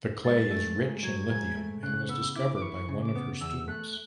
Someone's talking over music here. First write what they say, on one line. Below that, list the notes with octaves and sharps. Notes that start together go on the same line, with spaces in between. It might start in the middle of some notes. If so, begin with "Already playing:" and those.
The clay is rich in lithium and was discovered by one of her students.
G#2 A6
A3
G#2
F#3 G#6
G#2
A3
C#3 F#6
B3 E6
E4 D6
D6
E3 C#6
C#3
D6
B3
E2 E6
A3 F#6